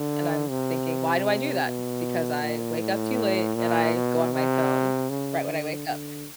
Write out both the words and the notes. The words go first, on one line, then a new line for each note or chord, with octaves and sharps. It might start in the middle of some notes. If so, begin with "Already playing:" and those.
and I'm thinking, "Why do I do that? Because I wake up too late, and I go on my phone right when I wake up."
Already playing: D3
C3
B2
A#2
A2
A#2
B2
C3
C#3
D3
D3